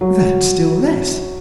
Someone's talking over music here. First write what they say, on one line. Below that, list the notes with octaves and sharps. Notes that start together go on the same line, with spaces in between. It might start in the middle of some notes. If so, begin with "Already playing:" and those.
"That still less."
F#3